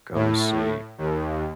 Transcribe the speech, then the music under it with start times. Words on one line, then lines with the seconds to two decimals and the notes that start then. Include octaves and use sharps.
come see
0.14 A2
0.98 D#2